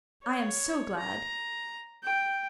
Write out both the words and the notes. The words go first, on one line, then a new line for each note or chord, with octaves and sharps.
I am so glad.
C#5
A#5
G5